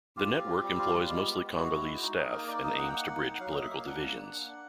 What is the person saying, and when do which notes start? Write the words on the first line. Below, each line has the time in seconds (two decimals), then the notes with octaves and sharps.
The network employs mostly-Congolese staff and aims to bridge political divisions.
0.17 F4 G4
0.32 C4
0.48 C4
0.63 G3
0.78 F4
0.94 G3
1.09 G#3 G4
1.25 B3
1.41 B3
1.55 G#3 F#4
1.71 E4
1.86 G#3
2.02 D#4
2.17 D#4 G#4
2.33 A#3 A#4
2.48 D#4 D5
2.63 A#3 D#5
2.78 A#3 F#5
2.87 G5
2.94 D#4 F#5
3.10 A#3
3.25 D#4
3.34 F#5
3.40 F#3 F5
3.51 A#3 D#5
3.63 E5
3.71 A#3 F5
3.86 D4 F#5
4.02 A#3
4.17 D4
4.32 A#3
4.47 D4